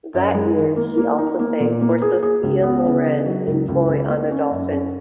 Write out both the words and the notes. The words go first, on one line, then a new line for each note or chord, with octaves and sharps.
That year, she also sang for Sophia Loren in "Boy on a Dolphin".
F#2
G#3
D#3
A#3
A#3
D#4
A#3
A#2
A#3
G#4
G#4
C#2
B3
C#3
C#3
F#3
C#2
C#2
C#3
A#3
C#4
F#2
C#4